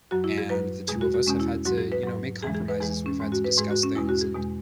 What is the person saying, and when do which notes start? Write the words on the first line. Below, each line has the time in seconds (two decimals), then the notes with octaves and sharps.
and the two of us have had to, you know, make compromises. We've had to discuss things and,
0.11 F#2 F#3 F#4
0.24 E4
0.38 G#4
0.50 F#2 F#3 B4
0.88 E2 B2 G#3 G#4
1.01 F#4
1.14 F#4
1.26 E2 B2 G#3 C#4
1.40 E4
1.65 G#2 F#3 F#4
1.78 G#4
1.92 B4
2.04 G#2 F#3
2.43 E2 E3 G#3 G#4
2.55 G#4
2.68 B4
2.81 E2 E3 G#3 G#4
3.06 C#4
3.20 G#2 G#3
3.32 F#4
3.44 B4
3.58 G#2 G#3 G#4
3.71 F#4
3.83 C#4
3.95 E2 B2 G#3 E4
4.09 F#4
4.21 G#4
4.35 E2 B2 G#3